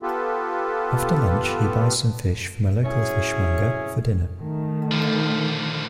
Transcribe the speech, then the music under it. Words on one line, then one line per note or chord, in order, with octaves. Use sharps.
After lunch he buys some fish from a local fishmonger for dinner.
B3 F4 G4 A4 B4
F#3 C#4 E4 G#4
D#3 A3
D3 F3